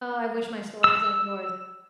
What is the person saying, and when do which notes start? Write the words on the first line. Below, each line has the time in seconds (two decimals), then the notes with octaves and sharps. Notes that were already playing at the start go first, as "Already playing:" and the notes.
I wish my story was like yours.
0.84 E6